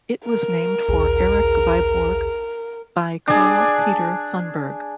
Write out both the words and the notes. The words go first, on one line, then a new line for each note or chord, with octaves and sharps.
It was named for Erik Viborg by Carl Peter Thunberg.
A#4
A#1 D#2 G#4
D4 G#4